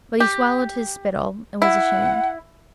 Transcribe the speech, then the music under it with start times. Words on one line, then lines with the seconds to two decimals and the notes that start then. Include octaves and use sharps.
But he swallowed his spittle, and was ashamed.
0.20 G4
1.62 E4 F#5